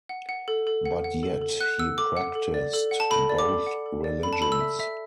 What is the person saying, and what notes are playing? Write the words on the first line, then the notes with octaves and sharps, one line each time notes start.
But yet he practiced both religions.
F#5
F#5
A4
A4
F#5
F#5
A4
A4
F#5 F#6
F#5 E6
A4 D6
F#5
A4
D5
A4
F#5
A5
A4 B5
D5
D6
A4
F#5
A4
D5
A4 B5
A5
A4 B5
E6
E5
E5